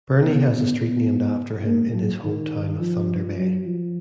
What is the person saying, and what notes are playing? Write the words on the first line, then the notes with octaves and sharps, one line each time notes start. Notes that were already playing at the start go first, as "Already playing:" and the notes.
Burney has a street named after him in his home town of Thunder Bay.
B3
B3
B3
A#3
F#3
D#3
F3
F#3
F3